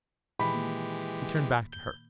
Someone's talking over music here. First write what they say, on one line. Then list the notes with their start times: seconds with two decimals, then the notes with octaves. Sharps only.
He turned back to her.
0.39 A#2 D#3 E3 G#3 G4 B5
0.55 A#3
1.72 G6